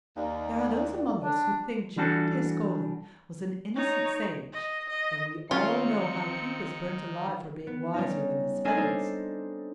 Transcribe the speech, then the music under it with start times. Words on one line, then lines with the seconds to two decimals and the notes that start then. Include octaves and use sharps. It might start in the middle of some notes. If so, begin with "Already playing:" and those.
There are those among us who think Cecco d'Ascoli was an innocent sage--and we all know how he was burnt alive for being wiser than his fellows.
0.17 D#2 D5
1.23 D4
1.96 E3 G3 D4 F#4 A4
3.75 D#4 C#5
4.53 D#5
4.89 D#5
5.51 D#3 C4 C#4 F4 C#7
7.67 B3
7.94 G3 C#4 D#4
8.65 A#3 C4 D4 A4 D#5 G#5
8.77 D4 D#4 A4 C5 D5